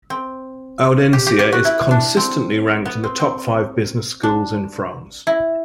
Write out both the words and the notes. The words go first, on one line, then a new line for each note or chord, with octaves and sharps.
Audencia is consistently ranked in the top five business schools in France.
C4
G4
G4
G4
F#4
E4
D4
C4
B3
C4
C4
D4
E4